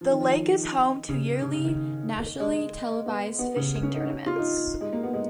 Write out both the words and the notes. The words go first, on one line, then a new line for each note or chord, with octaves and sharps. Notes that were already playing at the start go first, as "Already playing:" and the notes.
The lake is home to yearly nationally-televised fishing tournaments.
F3
D#3
F3
D#3
C#3
C#3
C#3
D#3
G#3
B3
B3
C#3
C#4
D#4
C#4
F4
D#4
G#3
A#3
B3
G#3